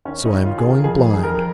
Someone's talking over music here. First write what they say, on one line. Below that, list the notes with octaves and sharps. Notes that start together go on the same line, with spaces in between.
So I am going blind.
D#2 C#4
C#3 D#4
D#2 F4
G#4
D#3
A#4
F2 G#4
D#3
G#4
F2 A#4